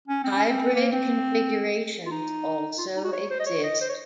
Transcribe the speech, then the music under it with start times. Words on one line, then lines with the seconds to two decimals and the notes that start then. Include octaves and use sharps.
Hybrid configurations also exist.
0.08 C#4
0.24 C4
0.37 C#4
0.49 C4
0.75 A#3
0.92 C4
2.06 F4
2.11 D#4
2.78 F4
2.96 D#4
3.04 F#4
3.13 C#5
3.30 C5
3.40 D#5
3.46 C#5
3.64 D#5
3.81 C5
3.89 C#5